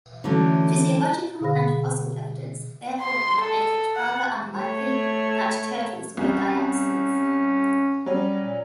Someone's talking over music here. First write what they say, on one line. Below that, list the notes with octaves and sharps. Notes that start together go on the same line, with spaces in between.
Physiological and fossil evidence therefore would make it rather unlikely that turtles were diapsids.
D3 E3 F#3 A3 C#4
B2 D3 G#4 F5 B5 A#6
C6
A4
F#5
A3 C#5
C2 C#4
F#3 G3 C#4
A#2